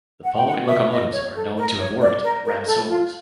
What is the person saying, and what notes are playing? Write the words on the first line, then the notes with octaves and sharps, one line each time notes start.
The following locomotives are known to have worked at Ransomes.
F#5
G5
F#5
E5
D#5
C#5
A4
A#4
C#5
D5
A#4
A#4
A4
F4